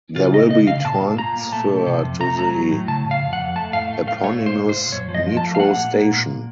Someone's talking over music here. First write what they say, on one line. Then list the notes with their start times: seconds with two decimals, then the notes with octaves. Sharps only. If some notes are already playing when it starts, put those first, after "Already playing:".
There will be transfer to the eponymous metro station.
0.16 C#3 F4
0.34 A3 D#5
0.50 C#3 D#5
0.67 C#3 F5
0.85 A#2 A5
1.02 A#2
1.18 A#2 A#5
1.36 A#3
1.52 A3 A5
1.69 C3
1.86 C3
2.03 F2
2.20 A3 A#5
2.38 F#3 A#5
2.54 F#3
2.71 A2
2.88 C#3 A5
3.06 C#3
3.11 F5
3.22 F2
3.33 F#5
3.40 F2
3.56 A3 A5
3.72 A2 F5
3.90 A3
4.07 A3 F5
4.24 A3 C#5
4.41 A#2
4.46 C5
4.58 A#2
4.69 C5
4.75 A#2
4.92 F#2 C#5
5.09 F3
5.14 D#5
5.26 F3
5.37 A5
5.43 A3
5.55 F5
5.59 A#3 F#5
5.77 A#2
5.94 A#3
6.11 A#2